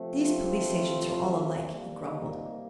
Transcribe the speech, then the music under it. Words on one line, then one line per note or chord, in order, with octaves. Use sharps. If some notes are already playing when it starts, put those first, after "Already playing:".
"These police agents are all alike," he grumbled.
Already playing: C3 F3 A3 C4
F4
C3 G3 A#3
D#4